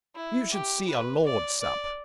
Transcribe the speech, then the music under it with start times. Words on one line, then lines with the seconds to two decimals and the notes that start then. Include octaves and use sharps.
You should see a lord sup.
0.15 E4
0.52 G4
0.88 B4
1.25 D5
1.61 D5